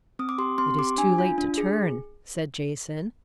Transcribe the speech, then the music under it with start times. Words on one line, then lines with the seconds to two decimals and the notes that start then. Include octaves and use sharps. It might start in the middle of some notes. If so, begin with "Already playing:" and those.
"It is too late to turn," said Jason.
0.19 C4 D#6
0.29 D6
0.38 G4 C6
0.58 C4 C6
0.79 G4 D6
0.98 D4 G#5
1.18 F4
1.38 D4
1.58 G#4